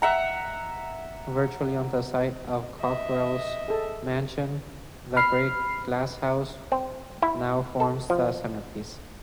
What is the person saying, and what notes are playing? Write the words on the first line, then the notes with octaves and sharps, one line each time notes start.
Virtually on the site of Cockerell's mansion, the Great Glasshouse now forms the centrepiece.
E5 F#5 A#5
D#5 E5
G#4 A4
B5 F6 C7
C4
E4
A4
F3